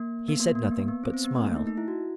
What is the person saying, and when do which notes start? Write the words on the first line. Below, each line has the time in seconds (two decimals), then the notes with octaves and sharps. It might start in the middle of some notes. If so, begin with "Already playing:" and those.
He said nothing, but smiled.
Already playing: A#3
0.28 B3
0.40 A#3
0.55 A#3
0.71 B3
0.88 B3
1.04 C4
1.14 C4
1.24 B3
1.35 A#3
1.46 A3
1.56 D#4
1.67 D#4
1.77 E4
1.88 F#4